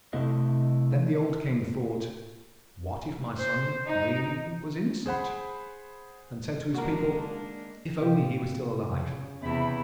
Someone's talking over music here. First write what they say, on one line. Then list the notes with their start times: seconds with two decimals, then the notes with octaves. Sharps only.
Then the old King thought, 'What if my son really was innocent?' and said to his people, 'If only he were still alive!
0.13 C3 A3 E4 D#5
3.38 C5
3.87 D#4
5.06 G#4 C5 F#5 B5
6.74 G#3 A#3 D4 F#4 A#4
8.01 C3 F4 G4
8.91 C#3
9.42 E2 C3 E4 B5